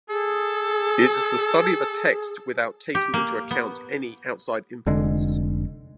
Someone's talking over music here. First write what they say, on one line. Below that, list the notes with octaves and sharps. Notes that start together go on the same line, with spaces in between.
It is the study of a text without taking into account any outside influence.
G#4 A4
G4
A#3
B3
F1 D3 G#3